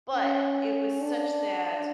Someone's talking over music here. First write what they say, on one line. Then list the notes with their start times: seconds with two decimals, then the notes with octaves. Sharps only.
But it was such that
0.15 C#4
1.01 D4